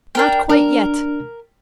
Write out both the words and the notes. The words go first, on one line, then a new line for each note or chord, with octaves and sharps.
Not quite yet.
D4 A#4 G5
D4 A#4